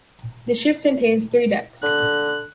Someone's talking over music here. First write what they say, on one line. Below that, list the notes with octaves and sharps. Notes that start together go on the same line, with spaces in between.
The ship contains three decks.
D3 F#6